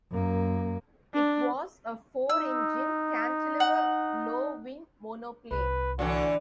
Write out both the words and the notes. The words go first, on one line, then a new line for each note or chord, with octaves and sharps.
It was a four engine, cantilever low wing monoplane.
F#2 A#3
D4
D#4 E6
F#5
C2 B4
A2 D3 E3 F#4